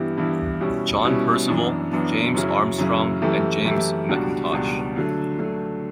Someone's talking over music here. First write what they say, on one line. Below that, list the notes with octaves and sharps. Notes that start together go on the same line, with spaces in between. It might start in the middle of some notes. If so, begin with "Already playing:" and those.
John Percival, James Armstrong, and James McIntosh.
Already playing: G2 E3 B3 E4 G4
G2 E3 B3 E4 G4
B2 G3 C#4 E4
B2 G3 C#4 E4
F#2 E3 B3 D4
F#2 E3 B3 D4
F#2 C#3 F#3 C#4 E4
F#2 C#3 F#3 C#4 E4
F#2 E3 A3 E4 G4
F#2 E3 A3 E4 G4
C#2 B2 G3 D4 F#4
C#2 B2 G3 D4 F#4
D3 F#3 A3
D3 F#3 A3